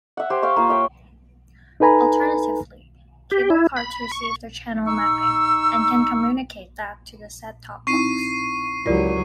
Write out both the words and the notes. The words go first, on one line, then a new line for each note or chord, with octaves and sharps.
Alternatively, CableCards receive the channel mapping and can communicate that to the set-top box.
E5 F#5
G4 C5 G#5
F5 G5 C#6
A#3 F4
C#5 E5 G5
D#4 A4 B4 G#5 A#5 B5
G4
E4
B5
C#6
D#4 C#6 E6
C4 D#4 E4 C#6 C7 D#7
C#2 F#3 E4 F4 G4 A#4 D5